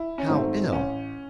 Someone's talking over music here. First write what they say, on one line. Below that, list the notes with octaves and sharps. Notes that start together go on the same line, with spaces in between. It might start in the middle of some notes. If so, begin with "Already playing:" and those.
"How ill?"
Already playing: E4
C#4
G#2 D#3 F#3 A3 C4
A1 C#4